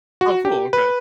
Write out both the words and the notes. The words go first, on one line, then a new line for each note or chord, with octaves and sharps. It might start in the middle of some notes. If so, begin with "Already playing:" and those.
Oh, cool, okay.
F#4
G4
B4